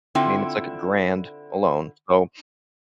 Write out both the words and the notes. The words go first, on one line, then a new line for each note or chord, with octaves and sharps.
I mean, it's like a grand alone. So
D3 C4 E4 F4 G5